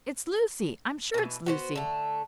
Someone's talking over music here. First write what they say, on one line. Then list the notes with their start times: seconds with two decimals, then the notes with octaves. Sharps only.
It's Lucy--I'm sure it's Lucy!
1.14 B2 E3
1.46 B3 F#4 C5
1.75 D3 A3